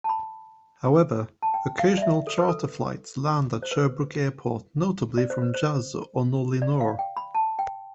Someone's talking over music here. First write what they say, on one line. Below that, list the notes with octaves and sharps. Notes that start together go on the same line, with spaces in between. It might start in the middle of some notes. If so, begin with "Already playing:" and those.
However, occasional charter flights land at Sherbrooke airport, notably from Jazz or Nolinor.
A5
B5
A5
G5
F5
D5
E5
A4
B4
A4
C5
B4
D5
C5
B4
C5
D5
F5
G5
B5
A5
G5